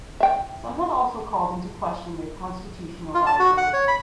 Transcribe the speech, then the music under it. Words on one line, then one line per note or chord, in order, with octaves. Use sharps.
Some have also called into question their constitutional viability.
E5 G5
F4
A5
F#4
F#5
C#5
B5